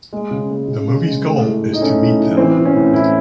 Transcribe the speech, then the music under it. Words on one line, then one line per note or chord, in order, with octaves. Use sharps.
The movie’s goal is to meet them.
G#3
C#3
G#3
C#3
C#3
G#3
A3
A2
A2
D#4
A3 C#4
A2
A2
E3 C4
E3
C#4
A2
A2 E4